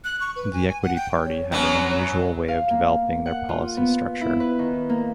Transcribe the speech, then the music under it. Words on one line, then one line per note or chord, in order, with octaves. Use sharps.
The Equity Party had an unusual way of developing their policy structure.
F#6
C#6
B4
G#5
G#5
F#5
G5
C#5
F#2 F#3 B3
F5
A#3
F#5
F4
B3
E4
B4
D#3
A#3